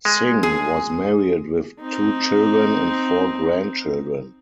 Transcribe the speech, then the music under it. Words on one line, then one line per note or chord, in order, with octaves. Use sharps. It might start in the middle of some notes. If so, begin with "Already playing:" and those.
Singh was married with two children and four grandchildren.
G#3
G#4
C4 D#4